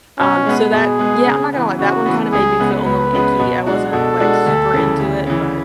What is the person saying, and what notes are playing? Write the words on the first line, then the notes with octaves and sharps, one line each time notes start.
Um, so that yeah, I'm not gonna lie, that one made me feel a little icky, I wasn't, like, super into it, but
B2 C#4
G#3 B3
B2 G#4
G#3 B3
C#3
E3 B3
C#3 F#4
E3 B3
C#2 G#4
C#3 G#3 B3
C#2 B4
C#3 G#3 B3
B2
G#3 D4 F#4
B2 A4
G#3 D4 F#4
D2
C#3 E3
D2
C#3 E3